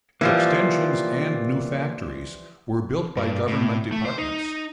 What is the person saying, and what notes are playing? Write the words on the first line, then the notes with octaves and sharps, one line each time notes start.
Extensions and new factories were built by government departments.
E3 F3 G3 A#3 F4
G2
A2
A3
C5
D#4